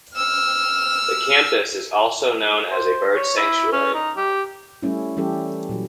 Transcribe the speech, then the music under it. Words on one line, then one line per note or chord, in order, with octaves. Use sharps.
The campus is also known as a bird sanctuary.
E6 F6
C5
C#5
E4
C#4
D#4
G4
G3 A3 C#4 E4
E3 G3 C#4 G4 A4
A#2 F#3